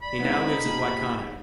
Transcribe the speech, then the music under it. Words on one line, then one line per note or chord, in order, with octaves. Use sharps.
He now lives at Waikanae.
D5 B5
G#3 B3 C4 D#4 E4 F#5
G#2 A#3 F4 G4